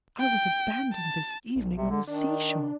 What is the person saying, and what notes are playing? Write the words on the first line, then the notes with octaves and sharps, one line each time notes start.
"I was abandoned this evening on the sea-shore."
G5
A5
B1
C3
D3
D#3 D4